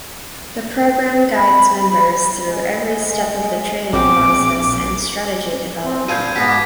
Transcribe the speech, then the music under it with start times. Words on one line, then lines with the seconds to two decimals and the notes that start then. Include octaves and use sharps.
The program guides members through every step of the trading process and strategy development.
1.36 B5
2.46 G#3
3.93 A#1 B2 C4 C#4 D6
5.82 C4
6.09 A#1 F3 F5 G6 G#6 D#7
6.36 G#2 B2 B3 B6
6.49 D6 G#6